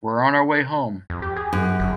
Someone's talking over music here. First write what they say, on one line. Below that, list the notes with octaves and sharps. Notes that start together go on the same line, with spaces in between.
We're on our way home.
F2
G4
G#4
F#2
G1